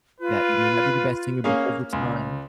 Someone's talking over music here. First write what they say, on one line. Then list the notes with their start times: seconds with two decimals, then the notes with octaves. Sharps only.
that they may not be the best singer, but over time,
0.20 F4 B4
1.44 A#3 C#4 G#4 F5
1.93 C#2